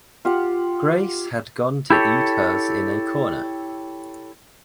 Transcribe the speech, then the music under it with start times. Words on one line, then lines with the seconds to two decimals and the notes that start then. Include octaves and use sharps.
Grace had gone to eat hers in a corner.
0.25 F4 G4 F#5
1.90 E4 G4 A4 C#5